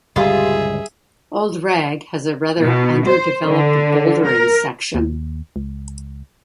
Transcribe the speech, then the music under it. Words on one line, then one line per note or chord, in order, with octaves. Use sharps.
Old Rag has a rather underdeveloped bouldering section.
G1 C#2 A#2 G3 F4 G4 G#4 E5
B2
C5
D3
A#4
D#2
C#2